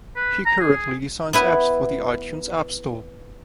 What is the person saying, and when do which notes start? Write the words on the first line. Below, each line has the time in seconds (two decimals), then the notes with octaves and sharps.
He currently designs apps for the iTunes App Store.
0.16 B4
0.46 A#5
0.60 G#4
1.33 B3 E4 B4